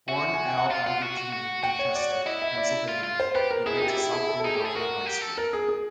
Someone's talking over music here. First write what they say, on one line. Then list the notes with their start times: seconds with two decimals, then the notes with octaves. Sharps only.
Born Al Albertini in Chester, Pennsylvania, he went to South Philadelphia High School.
0.08 F#4 E5
0.34 G#5
0.46 G5
0.58 F#5
0.70 F4 F5
0.86 F4 F#5
1.02 F#4
1.18 F#4
1.33 F#4
1.63 F#4 G5
1.79 C#5
1.95 D5
2.11 C#5
2.26 E4 D#5
2.42 E5
2.57 D5
2.88 F4
3.03 F4
3.20 C5
3.35 G4 B4
3.51 A#4
3.66 E4 G#4
3.77 D#4 G4
3.88 E4
3.97 G4
4.13 G#4
4.28 A4
4.40 A4
4.44 D#4 G#4
4.55 G4
4.60 G#4 A4
4.75 F#4 A#4
5.06 G4
5.21 A4
5.38 A#4
5.53 G#4
5.68 G#4